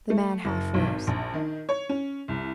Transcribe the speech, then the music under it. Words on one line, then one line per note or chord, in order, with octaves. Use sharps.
The man half rose.
A3
F#1
B1
G#1
A#1
D#3
C#5
C#4
C2